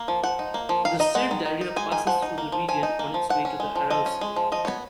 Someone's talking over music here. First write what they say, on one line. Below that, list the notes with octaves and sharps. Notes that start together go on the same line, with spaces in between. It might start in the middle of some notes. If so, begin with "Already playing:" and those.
The Syr Darya passes through the region, on its way to the Aral Sea.
Already playing: A#3
F3
F3 F#5
D#4
A#3
F3
D#3 F5
D#4 D#5
G#3 F#5
D#3
D#3
D#4
G#3 G#5
D#3 G#5
F3 F#5
D#4
A#3
F3
F3 G#5
D#4
A#3
F3
F3 F#5
C#4
G#3
F3
F3 D#5
C#4
G#3
F3
F3 D#5
B3 C#5